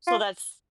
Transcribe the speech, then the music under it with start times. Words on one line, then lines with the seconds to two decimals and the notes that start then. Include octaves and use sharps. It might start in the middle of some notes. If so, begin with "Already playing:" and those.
So that's
0.07 F4